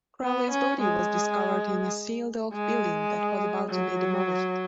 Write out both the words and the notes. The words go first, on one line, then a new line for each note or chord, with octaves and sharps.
Crowley's body was discovered in a sealed-off building that was about to be demolished.
B3
C#4
G#3
G#3
F#3